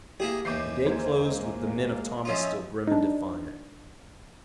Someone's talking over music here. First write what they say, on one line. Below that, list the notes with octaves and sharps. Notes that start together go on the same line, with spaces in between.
The day closed with the men of Thomas still grim and defiant.
A#3 E4 G4 G#4
D#2 E3 D6 G6 C7
G#3 A#3 C5 G#6
F3 C#4 F4 D#5 E5
D4 D#4